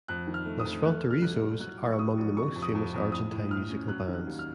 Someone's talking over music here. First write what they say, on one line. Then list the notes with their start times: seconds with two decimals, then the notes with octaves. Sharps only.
Los Fronterizos are among the most famous Argentine musical bands.
0.08 F2 F#6
0.27 D#3
0.34 F6
0.46 A3
0.60 D#6
0.65 F2
0.85 A3 F#6
1.04 A3
1.11 F6
1.22 C2 F#6
1.41 C2
1.60 F#3 F#6
1.80 A2
1.93 C#6
1.99 A2 D#6
2.18 A#1
2.36 C3 C#6
2.56 F2
2.62 D#6
2.75 F2
2.94 F2
3.12 A2 D#6
3.31 A2
3.51 A2 F6
3.70 C#4
3.88 F#3 F#6
4.08 D#3
4.14 F#6
4.27 D#2
4.39 F6